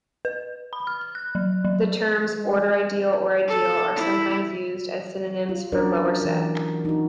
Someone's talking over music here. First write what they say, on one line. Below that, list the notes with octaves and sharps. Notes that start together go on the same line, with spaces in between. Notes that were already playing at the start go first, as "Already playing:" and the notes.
The terms order ideal or ideal are sometimes used as synonyms for lower set.
B4
B5
F6
F#6
F#3
F#3
G#3
A4
E4
F4
F#3 C#4 D4 F#4 A#4 D5
E3 A#4
D#4 F#4